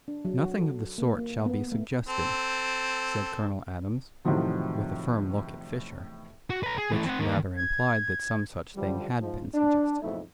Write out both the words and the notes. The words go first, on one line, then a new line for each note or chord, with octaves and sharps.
"Nothing of the sort shall be suggested," said Colonel Adams, with a firm look at Fischer, which rather implied that some such thing had been suggested.
D4
F#3
F#4
A4
A#3
A#3
B3
A3
C4 A4
E2 A2 C3 D#3 F3 F#3
F#4
B4 A#5
G#4
E3 A3
C4 F#5
D#3 A#3
G#6
F#2 D3 F3 G3
G#2 F3
D4
B1 F2 G#2 A3 D#4 E4